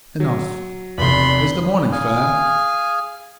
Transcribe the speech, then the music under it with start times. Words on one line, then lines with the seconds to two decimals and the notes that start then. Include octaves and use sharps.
Enough!--Is the morning fair?'
0.20 F#3
0.98 F1 E2 B5 C6
1.92 G#4 F5 G#5